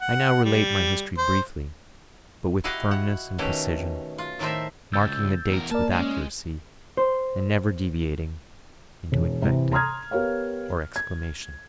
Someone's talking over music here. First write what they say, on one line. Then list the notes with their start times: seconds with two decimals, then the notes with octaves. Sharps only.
I now related my history briefly but with firmness and precision, marking the dates with accuracy and never deviating into invective or exclamation.
0.01 F#5
0.45 G3
1.18 C5
2.64 E4 F#4 G4 D#5 F5 F#5
2.91 F#5
3.38 B2 D#3 A3 C#4 G4 C#5
4.18 F4
4.39 A2 D#3 A3 A#4 C5 E5
4.93 C#2 E6 G6 A6
5.50 E2 A#4
5.71 A#3 A#4 D5 A5
5.92 G#3 C#4
6.97 C5
9.12 E1
9.42 C3 E3
9.72 A#5 C6 D#6 F6 G#6
10.11 B3 G4 A#4 C#5 F5
10.96 G#6